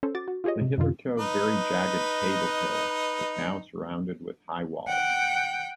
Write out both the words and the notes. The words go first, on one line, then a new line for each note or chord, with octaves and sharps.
The hitherto very jagged table hill was now surrounded with high walls.
C#4 A4 C5
F#4 D6 A6
F#4
F4 G4 G#4 C#5 D#5
C3
F#2 C3 D#3 F4
D#4 B4 D#5
F#5 G5